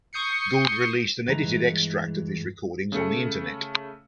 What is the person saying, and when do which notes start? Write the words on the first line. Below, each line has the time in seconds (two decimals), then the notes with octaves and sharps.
Gould released an edited extract of his recordings on the internet.
0.13 C#6 D#6 G6 C7 C#7
1.27 G2 E3 G#3 A#5
2.92 C#3 A3 C#7